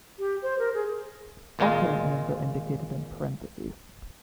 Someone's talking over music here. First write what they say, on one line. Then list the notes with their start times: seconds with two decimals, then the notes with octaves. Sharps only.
Alternate names are indicated in parentheses.
0.19 G4
0.42 C5
0.58 A#4
0.74 G#4
1.59 G#1 A#2 G#3 F4 A#5